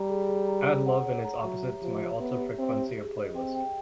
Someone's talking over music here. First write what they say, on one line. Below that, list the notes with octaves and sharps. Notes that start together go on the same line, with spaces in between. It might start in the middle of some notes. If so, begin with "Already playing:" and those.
Add Love and Its Opposite to my Alta Frecuencia playlist.
Already playing: G3 A#5
G#4
G#4
A#5
G#4
F#5
C#5
A#5
F#3 E5
G4
F3 G4
C#5
B3 E5
G4
C4 E5
G4
G#4
D#5
C4 G5
G5